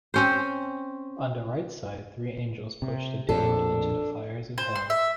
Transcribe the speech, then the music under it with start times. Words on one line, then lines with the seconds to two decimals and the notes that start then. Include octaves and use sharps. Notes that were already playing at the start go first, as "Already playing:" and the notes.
On the right side, three angels push the damned into the fires of hell.
0.14 C4 C#4 C5
2.82 C3
3.29 A#1 F2 D4 A4
4.58 C5
4.76 C6
4.90 E5